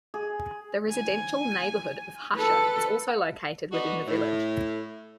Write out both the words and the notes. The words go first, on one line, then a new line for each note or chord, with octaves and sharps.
The residential neighborhood of Husher is also located within the village.
G#4
G#5
A4 B4
D3 B3 D4 D#4 F#4
A2